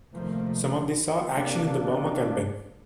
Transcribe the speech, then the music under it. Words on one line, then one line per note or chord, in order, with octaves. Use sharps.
Some of these saw action in the Burma Campaign.
D2 C3 D#3 F3 A3 A#3
C3 A#3 D4